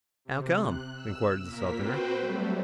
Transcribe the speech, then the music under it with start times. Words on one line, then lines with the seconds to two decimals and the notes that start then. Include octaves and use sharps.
"How come?" inquired the Southerner.
0.25 C3
0.58 F#6
0.93 E6
1.42 A#2 A#3 A#4 B6
1.75 C4 F#4 B4 C5 G5
2.19 F#3 G3 A3